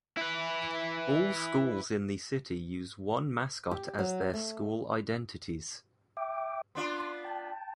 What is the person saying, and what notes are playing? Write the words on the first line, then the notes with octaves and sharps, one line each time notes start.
All schools in the city use one mascot as their school identities.
E4 B4
G4
F#3
A3
E5 G5 D6
B3 D4 F4 C6
G5 A5